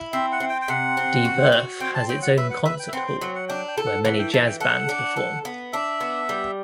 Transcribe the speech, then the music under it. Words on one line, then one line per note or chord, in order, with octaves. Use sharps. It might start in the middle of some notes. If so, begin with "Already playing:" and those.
De Werf has its own concert hall where many jazz bands perform.
Already playing: E4
C4 E5
F#5
C4
G5
G5
C3 F#5
C4
F#4
F#4
C4 G5
A5
F#3 G5
F#5
B4 E5
F#5
B4 E5
G5
E5
C4 F#5
G5
F#3 F#5
F#5
D4 G5
G5
A4
F#5
E3 F#5
G5
E3 A5
G5
A4 F#5
D4
A4
B3
D4 E5
B3
G3